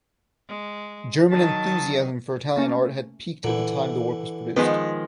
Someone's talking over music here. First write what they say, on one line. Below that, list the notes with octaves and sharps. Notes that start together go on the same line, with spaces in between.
German enthusiasm for Italian art had peaked at the time the work was produced.
G#3
D#3 F#3 D#4 A5
A3 A#3 C#4
A#2 D3 E3
D#3 F3 G#3 B3 B4 D#5